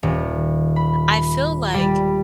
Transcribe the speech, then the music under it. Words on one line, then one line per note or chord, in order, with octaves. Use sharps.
I feel like,
D#1
B5
G3